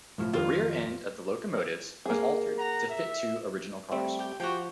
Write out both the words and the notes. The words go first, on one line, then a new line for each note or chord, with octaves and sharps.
The rear end of the locomotives was altered to fit to original cars.
C2 A2 F3
F2 D#3 F4
A#3 G#4
F#5 A#5
E5
G3 A3 C4
G4 G5
F3 F#4 G4 F#5 G5